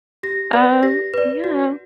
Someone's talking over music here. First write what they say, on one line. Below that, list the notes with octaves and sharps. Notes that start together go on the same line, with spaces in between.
Um, yeah,
G4 A#6
B4 D5
G4 A#6
B4 D5
F#4